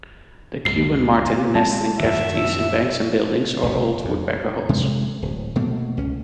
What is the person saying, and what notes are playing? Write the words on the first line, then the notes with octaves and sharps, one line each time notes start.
The Cuban martin nests in cavities in banks and buildings, or old woodpecker holes.
C#2 F#2 C7
G#3 C4 A5
F#2 D#3 E5
E1 A1 C3
F2
C3 G#3
D1
B2 A3 A#3
C#2 C#4